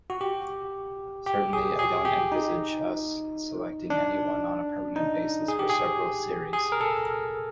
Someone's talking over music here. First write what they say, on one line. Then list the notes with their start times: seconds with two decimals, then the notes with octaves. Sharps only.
Certainly I don't envisage us selecting anyone on a permanent basis for several series.
0.10 F#4
0.21 G4
1.27 G4
1.53 G#4
1.79 G#4
2.05 G4
2.32 D#4
3.90 D4
4.96 D#4
5.48 G#4
5.59 G4
5.70 G#4
6.53 G#4
6.72 A#4
6.81 A4